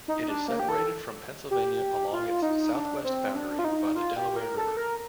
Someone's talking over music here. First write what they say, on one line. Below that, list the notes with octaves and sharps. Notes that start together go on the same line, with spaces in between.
It is separated from Pennsylvania along its southwest boundary by the Delaware River.
D#4
D4
A#3
G4
A4
G4
F4
D#4
D4
C4
D4
F4
D#4
F4
G4
A#4
A4
A#4